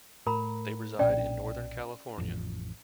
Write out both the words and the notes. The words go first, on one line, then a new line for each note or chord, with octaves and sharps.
They reside in northern California.
A2 A#4 A#5 B5
B1 A#2 C#4 D4 D5 G5
A1 F2